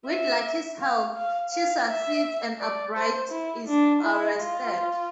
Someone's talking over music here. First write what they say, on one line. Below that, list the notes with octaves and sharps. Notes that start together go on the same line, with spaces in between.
With Lucky's help, she succeeds and Albright is arrested.
E5
F5
F5
F5
E5
D5
C5
E4
D4
E4
F4